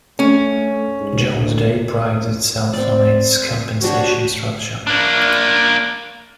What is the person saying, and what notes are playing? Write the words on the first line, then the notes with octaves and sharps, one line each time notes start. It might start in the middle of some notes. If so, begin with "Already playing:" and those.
Jones Day prides itself on its compensation structure.
A3 C#4
G#2
D3
C4 D5
D4 F#4 G4 C#5
A#3 D4